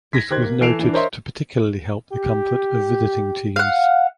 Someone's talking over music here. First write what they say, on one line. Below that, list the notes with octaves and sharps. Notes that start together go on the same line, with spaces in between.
This was noted to particularly help the comfort of visiting teams.
G#6 A#6 B6
D#3 G4 C5 F#6 G#6
A#3
E3 A4 C7 D7 E7 F7
E3 D4
A#4 C5 C#5 D#5 E5 C6
G4
F5 F#5